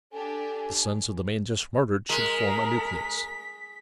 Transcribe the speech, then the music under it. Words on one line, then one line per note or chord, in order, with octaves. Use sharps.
The sons of the man just murdered should form a nucleus.
D4 G4 A4 G#5
G#3 A#4 B6